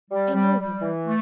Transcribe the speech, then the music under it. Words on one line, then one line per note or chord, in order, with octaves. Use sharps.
"I know him."
G3
G3
G3
E3
A3